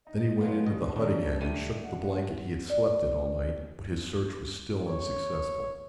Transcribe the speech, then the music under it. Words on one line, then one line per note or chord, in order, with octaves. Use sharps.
Then he went into the hut again, and shook the blanket he had slept in all night, but his search was still unsuccessful.
D#4 D#5
F#3 G#3 B3 F4
G2 B2 A#3 G4 D#5
C2 F#2 D#3 D4 D5
G3 A3 D#5 D#7
F#5
D5
C#5